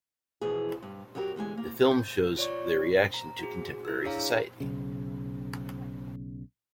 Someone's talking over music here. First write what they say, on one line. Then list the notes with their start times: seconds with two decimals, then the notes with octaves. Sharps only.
The film shows their reaction to contemporary society.
0.41 B2 E3 F3 G#4
0.82 G2
1.15 F#2 F#3 F#4 G4 A#4
1.36 E2 D3 G#3 G#5
1.57 A#3
1.91 G6
2.37 F4 C#5 D5 C#6
3.14 A#5
3.39 F#4 G#4
3.85 E4 E6
4.04 D4 G#4 C#5 F5 A#5
4.60 B1 C#3